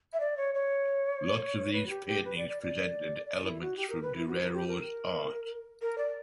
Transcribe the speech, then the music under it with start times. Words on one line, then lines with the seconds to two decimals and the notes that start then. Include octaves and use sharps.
Lots of these paintings presented elements from Durero’s art.
0.13 E5
0.20 D5
0.37 C#5
0.55 C#5
1.73 B4
1.86 F#4
1.90 G4
2.07 G4
2.25 B4
2.37 D5
2.49 D5
2.63 D5
3.26 D5
3.44 E4
3.61 F#4
3.77 G4
3.90 A#4
4.03 B4
4.16 E4
4.28 F#4
4.41 A#4
4.54 G4
4.67 A#4
5.82 A#4
5.98 D5